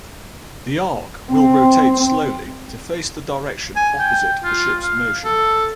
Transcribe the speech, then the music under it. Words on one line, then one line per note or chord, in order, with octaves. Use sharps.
The arc will rotate slowly to face the direction opposite the ship's motion.
C4
G#5
G5
F4
F5
A4